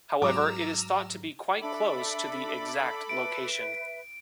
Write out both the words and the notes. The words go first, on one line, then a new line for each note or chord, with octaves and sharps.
However, it is thought to be quite close to the exact location.
G#2 F#3 A#5 D6 E6 F6
D4 A4 E5 B5 D6
B4 E5 D7